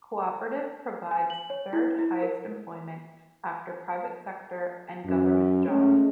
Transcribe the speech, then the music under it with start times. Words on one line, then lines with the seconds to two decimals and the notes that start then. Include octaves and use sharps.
Cooperative provides third highest employment after private sector and government jobs.
1.11 G#5
1.30 F#7
1.50 C#5
1.73 E4
1.99 E4
2.22 A#4
5.06 F#2
5.68 G#3 A3 C#4